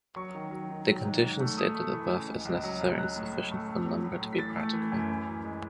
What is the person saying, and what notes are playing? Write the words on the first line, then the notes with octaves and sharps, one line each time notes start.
The condition stated above is necessary and sufficient for a number to be practical.
F#3 C#6
D#3
F#3
D#3
F#3
G#2
G#2
A3
A3 D#6
A3
E3
C#3
C#2
C#2
F#3
C#2
F#3 F#6
A2
A2
A3
A3
F#3
A2
A2
B6
E3 A6
A3
E3
F#2
E3
F#2
G#3